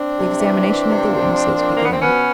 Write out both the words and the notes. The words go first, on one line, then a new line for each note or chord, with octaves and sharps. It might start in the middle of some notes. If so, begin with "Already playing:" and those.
The examination of the witnesses began.
Already playing: C4 D4
C3
E3
E3
C3
F3
F3
A#2
F3 A#3
B3
C4
B2 B3 C#4